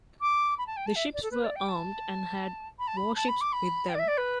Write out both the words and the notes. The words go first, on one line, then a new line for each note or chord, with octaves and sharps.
The ships were armed and had warships with them.
D6
B5
A5
G5
A5
E5
D5
A4
B4
D5
G5
A5
B5
A5
B5
A5
B5
D6
B5
G5
D5
E5
D5
B4